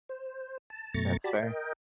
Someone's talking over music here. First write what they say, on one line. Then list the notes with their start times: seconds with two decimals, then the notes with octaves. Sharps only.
That's fair.
0.09 C5
0.70 A5
0.94 F#2 B2 A3 A#5 C#6 A6
1.24 F#4 G4 D5 A5 B5
1.43 A#4 D#5 G5